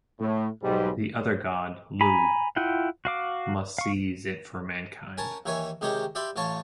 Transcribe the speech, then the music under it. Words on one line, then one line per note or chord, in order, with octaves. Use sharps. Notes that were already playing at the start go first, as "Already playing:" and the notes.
The other god - Lugh - must seize it for mankind.
A2
B1 G#2 G3
G#5 A#5 B5
E4 F4 F#5 G5
F#4 F5 D6
F5 C#6
C#4 A#4 G#5 A5
D#2 E3 A#4 C#5 E5 G#5
C3 D#3 G#3 G4 C#5 D#5
G4 D5 E5 F5 B5 C6
A1 F4 C#5 A5 C#6